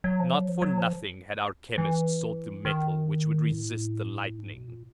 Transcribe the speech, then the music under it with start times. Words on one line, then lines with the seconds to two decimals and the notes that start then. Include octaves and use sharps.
Not for nothing had our chemists sought the metal which would resist the lightning.
0.04 F#3
0.20 F3
0.33 F#3
0.48 F3
0.62 F#3
0.78 F3
1.78 E3
2.65 D#3
3.52 A2
4.38 G#2
4.53 B2
4.68 A#2